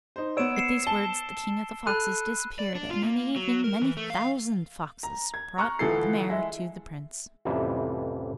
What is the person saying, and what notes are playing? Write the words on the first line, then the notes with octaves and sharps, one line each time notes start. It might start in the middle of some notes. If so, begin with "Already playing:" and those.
With these words the King of the Foxes disappeared, and in the evening many thousand foxes brought the mare to the Prince.
D#4 C5
B3 C#5 E6 D7 E7
C7 C#7 E7
A5 G7
A4 B5 F#6 D#7
D5
D4
F4
A#3
F#3
A#4
E3
A3
F5
A#5
G#6
A#5 C#6 F6 F#6
D2 E3 F3 A4 C7
G#3 E4
A1 F2 C3 E3 G3 E5